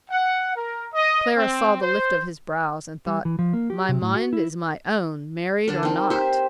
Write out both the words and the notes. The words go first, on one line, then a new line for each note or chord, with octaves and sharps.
Clara saw the lift of his brows, and thought, "My mind is my own, married or not."
F#5
A#4
D#5
C4
C5
G3
E3
F3
A#3
G4
C3
A2
F#4
E4
D3 D4 A#4
C4 D#4
G4 C5 E5